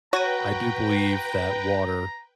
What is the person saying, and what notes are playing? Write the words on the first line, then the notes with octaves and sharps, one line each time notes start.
I do believe that water
F#4 B4 C#5 G5 A#5 D#7